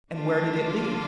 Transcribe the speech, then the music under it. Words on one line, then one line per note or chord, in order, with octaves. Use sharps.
"And where did it lead?"
D3 F3 A3 D4 F4